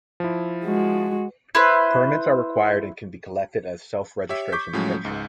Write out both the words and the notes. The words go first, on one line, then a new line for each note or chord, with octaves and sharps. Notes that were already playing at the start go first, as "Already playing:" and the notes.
Permits are required and can be collected at a self-registration station.
F3 E4
G#3 F#4
E4 B4 C5
G4 C#5 E5
C#6 D6 G6 B6
A2 F3 F#3 G#3 C#4
C#2 G#2